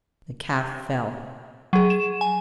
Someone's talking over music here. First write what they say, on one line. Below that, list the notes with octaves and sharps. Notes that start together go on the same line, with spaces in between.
The calf fell.
F#3 G#4
E7
G#5